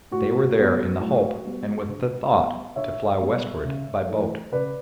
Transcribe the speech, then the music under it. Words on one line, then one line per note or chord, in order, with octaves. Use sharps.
They were there in the hope, and with the thought, to fly westward by boat.
A2 F#4
G3 B3
A2
G3 B3
D3
G3 B3
D3 C#5 E5
G3 B3
C#3
E3 A3
C#3 B4 D5